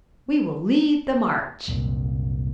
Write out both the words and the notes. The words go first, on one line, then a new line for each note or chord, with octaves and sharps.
"We will lead the march."
F#1 C2 A#2